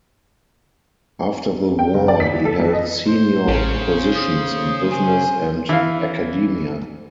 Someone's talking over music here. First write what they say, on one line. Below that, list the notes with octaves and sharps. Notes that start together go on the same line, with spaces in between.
After the war he held senior positions in business and academia.
G5
F#1
D5
B6
E3
A4
F2
D#5
C5
A1 C#3
D#6
C5 G#5
E3 F5